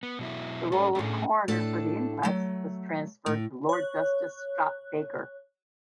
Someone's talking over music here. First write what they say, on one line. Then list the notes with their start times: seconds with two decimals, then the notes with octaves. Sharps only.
The role of coroner for the inquests was transferred to Lord Justice Scott Baker.
0.03 B3
0.19 B2 F#3 E4
0.72 G#2 C#4 A4
0.95 A2 A3 C#4 D4 G#4
1.48 A2 D4 A4 A5
2.23 F#3 A3
3.26 A2
3.69 C#5 F#6